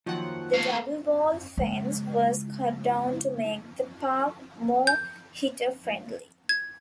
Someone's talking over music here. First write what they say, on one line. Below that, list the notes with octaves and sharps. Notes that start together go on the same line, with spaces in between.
The "double wall" fence was cut down to make the park more hitter-friendly.
D#2 D#3 F3 F#3 F#5
A3 F5
C#3 G#3
G6
G#6